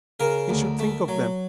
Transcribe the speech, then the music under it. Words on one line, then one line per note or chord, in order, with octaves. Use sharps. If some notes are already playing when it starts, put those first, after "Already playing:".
He should think of them.
C#3 A#4
D2
A3
F#3